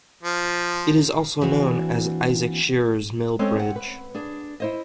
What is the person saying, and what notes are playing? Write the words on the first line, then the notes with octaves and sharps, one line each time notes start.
It is also known as Isaac Shearer's Mill Bridge.
F3
E3 A#3 C4 D4 F#4
G#3 C4 C#4 A4 D#5
G4 F#5
B4
D4 G#4 D5
E4 C5 D#5